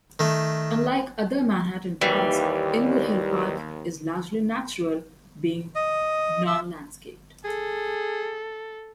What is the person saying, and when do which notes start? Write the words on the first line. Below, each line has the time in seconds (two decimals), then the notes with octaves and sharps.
Unlike other Manhattan parks, Inwood Hill Park is largely natural, being non-landscaped.
0.19 D#3 A3
2.01 D#2 E3 G3
5.76 D#5
6.46 E5
7.45 G#4 A4